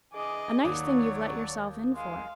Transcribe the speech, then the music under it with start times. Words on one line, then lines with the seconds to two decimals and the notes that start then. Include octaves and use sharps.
A nice thing you've let yourselves in for!'
0.13 E3 D4 G#4 D#5 D6
0.64 D#2 F#3 C#5 D5 D6 D#6
1.96 G#3 F5